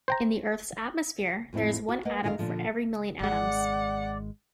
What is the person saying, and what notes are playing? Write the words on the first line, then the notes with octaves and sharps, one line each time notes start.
In the Earth's atmosphere, there is one atom for every million atoms.
C5 G5 A#5
F2 A2 C4 E4
F#4
A#3 B4 D#5 F#5
F#2 D3 D#3 F#4 D#5 F5
A#2 D3 F3
G#1 G#3 D5 F#5